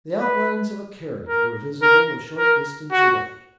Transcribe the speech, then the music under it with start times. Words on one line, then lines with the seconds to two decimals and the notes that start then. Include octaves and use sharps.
The outlines of a carriage were visible a short distance away.
0.20 B4
1.29 A#4
1.82 A#4
2.38 A#4
2.92 F#4